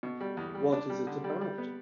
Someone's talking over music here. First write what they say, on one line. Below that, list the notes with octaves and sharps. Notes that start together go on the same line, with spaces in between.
What is it about?
B2
G3
E2
G3
D4
G3
D3
G3
G3
B3